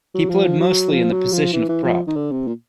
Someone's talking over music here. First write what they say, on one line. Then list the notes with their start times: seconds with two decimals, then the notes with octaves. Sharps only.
He played mostly in the position of prop.
0.15 F#3
0.29 F3
0.60 F#3
0.91 F3
1.12 F#3
1.33 F3
1.53 E3
1.69 E3
1.84 F3
2.07 D#3
2.16 D3
2.31 C3
2.48 A#2